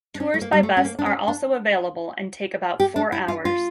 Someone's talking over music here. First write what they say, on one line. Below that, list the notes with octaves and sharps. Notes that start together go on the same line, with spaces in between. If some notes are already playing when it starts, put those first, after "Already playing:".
Tours by bus are also available and take about four hours.
D4
C#4
A3
A#3
G3
A3
C#4
A#3
D4
C#4
D4
G4
D4
E4
F4
F4